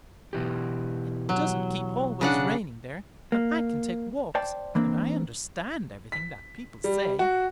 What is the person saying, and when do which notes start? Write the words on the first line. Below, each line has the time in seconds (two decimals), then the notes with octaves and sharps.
"It doesn't keep always raining there, and I can take walks, and I understand everything that people say."
0.33 B2 E3 G4
1.29 F#3
2.21 C#3 D4 F#5
3.32 A#3
4.35 C5 D5 G5 A5
4.75 E3 A#3 C4 D4
6.12 B6
6.84 G3
7.19 F#4